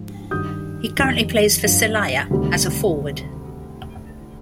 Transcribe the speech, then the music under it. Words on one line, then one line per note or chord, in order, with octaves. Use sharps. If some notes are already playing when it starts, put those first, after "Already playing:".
He currently plays for Celaya as a forward.
Already playing: G#2 F3
G2 D#3 G3 D#6 G6
F2 D#3 G3
G2 F3
D2 C3 D#3 G3